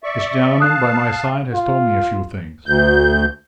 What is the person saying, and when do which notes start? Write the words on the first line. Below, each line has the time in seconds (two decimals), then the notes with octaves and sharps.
This gentleman by my side has told me a few things.
0.04 D5 E5 C#6
0.60 F5 A5 D#6 F#6
1.54 F4
2.66 D2 G6